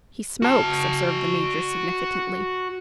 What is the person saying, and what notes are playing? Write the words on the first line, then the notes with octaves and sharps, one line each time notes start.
"He smokes," observed the Major, significantly.
F#4 A5